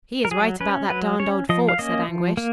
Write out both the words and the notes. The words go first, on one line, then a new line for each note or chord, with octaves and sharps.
"He is right about that darned old fort," said Anguish.
A#4
F#3 G#4
C#4 B4
F#3 B4
C#4 C#5
F3 D#5
F5
A#3 C#4 D#5
F3
A#3